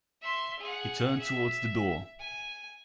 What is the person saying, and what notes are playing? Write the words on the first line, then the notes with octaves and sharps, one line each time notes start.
He turned towards the door.
E5 C6
G#4 F#5
E5
G#5